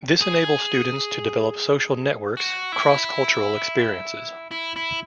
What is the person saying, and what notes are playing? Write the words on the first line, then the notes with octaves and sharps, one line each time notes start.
This enables students to develop social networks, cross-cultural experiences.
G#4
F#4
E4
E4
E4